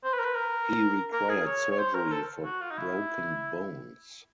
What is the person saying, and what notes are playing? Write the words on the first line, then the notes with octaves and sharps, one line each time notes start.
He required surgery for broken bones.
C5
B4
A#4
B4
A#4
A#4
G#4
C#5
C#5
C5
A#4
A4
F#4
F4
D#4
E4